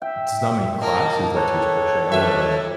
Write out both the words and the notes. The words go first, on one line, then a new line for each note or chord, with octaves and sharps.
there's not many classes that teach crochet I wouldn't
E5 G5
A#3 A#4 D#5 A5
A4 B4 C#5 A#5
F2 B4 E5